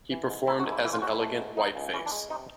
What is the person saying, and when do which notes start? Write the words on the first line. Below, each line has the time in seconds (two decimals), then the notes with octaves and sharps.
He performed as an elegant Whiteface.
0.11 E3
0.29 G#2
0.47 A3 E4
0.60 F#4
0.66 G#2
0.72 E4
0.84 E3 E4
0.93 F4
1.02 G#2 F#4
1.11 E4
1.20 A3
1.39 G#2
1.57 C3 D#4
1.75 C#2
1.93 E3 C#4
2.06 D4
2.12 G#3
2.30 C3 D#4